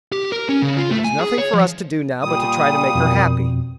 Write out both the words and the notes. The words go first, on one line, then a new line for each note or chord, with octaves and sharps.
There is nothing for us to do now but to try to make her happy.
G4
A#4
C#4
C#3
F4
A3
G#5
G#4
C#5
F3
A#2 G3 D#6
F2 B2